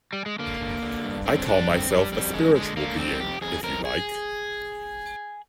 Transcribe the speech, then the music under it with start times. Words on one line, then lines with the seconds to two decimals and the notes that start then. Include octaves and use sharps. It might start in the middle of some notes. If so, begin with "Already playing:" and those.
I call myself a spiritual being, if you like.
0.13 G3
0.26 G#3
0.39 D3 A#3
0.61 D3
0.82 D3
1.04 G2
1.26 D3 C4
1.47 G2 D4
1.69 D3 C4
1.90 G2 G3
2.12 F2 G3
2.33 D3 G#3
2.55 D3 G#3
2.77 D3 A#3
2.99 F2 C4
3.20 F2 G4
3.41 F2 G#4
3.63 F2 A#4
3.85 G#4